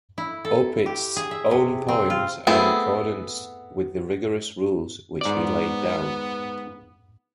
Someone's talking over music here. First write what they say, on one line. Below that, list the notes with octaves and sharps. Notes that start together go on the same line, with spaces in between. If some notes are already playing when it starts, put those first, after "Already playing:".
Opitz's own poems are in accordance with the rigorous rules which he laid down.
E4
A4
G4
G#4
E5
C3
C4
F4
A3 B3 C4 E4 G#4
G#2 B3 D5